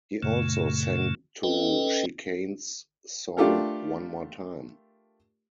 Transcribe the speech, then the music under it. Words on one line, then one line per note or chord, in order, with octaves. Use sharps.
He also sang to Chicane's song "One More Time".
F#2 A#2 C#3 A3
C#4 A4 B4 D#5 G5
A3 D4 F4 G4 A4 A#4